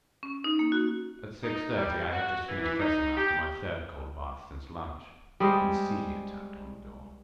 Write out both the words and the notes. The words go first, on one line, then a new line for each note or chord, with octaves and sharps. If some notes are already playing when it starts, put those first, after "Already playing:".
At six-thirty I had just finished dressing after my third cold bath since lunch, when Celia tapped on the door.
C#4
D#4
A#3
F#4
D#4
G3
F#4
E3
E3
D#4
G4
G3 G#3 C5